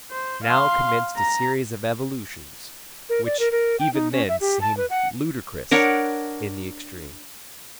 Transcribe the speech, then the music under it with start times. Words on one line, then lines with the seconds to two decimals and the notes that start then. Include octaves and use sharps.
Now commenced a series of evolutions which even then seemed ludicrous in the extreme.
0.11 C5
0.44 F5 C6
1.16 A#5
3.09 A#4
3.25 D5
3.39 A#4
3.52 A#4
3.80 G5
3.94 D#4
4.12 C#4
4.29 E5
4.41 G4
4.61 A5
4.77 B4
4.90 F#5
5.71 D4 A#4 C#5 F#5